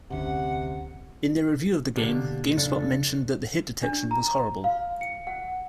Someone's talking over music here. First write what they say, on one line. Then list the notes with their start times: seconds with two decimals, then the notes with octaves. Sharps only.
In their review of the game, GameSpot mentioned that the hit detection was horrible.
0.10 F1 D2 C3 C#4 F#5
1.97 B2 D3 A#3 C#4 D4 G4
2.57 F2 C#3 D4 A4 D5
3.83 D4
4.11 A#5
4.64 F5
5.01 C#7
5.27 F#5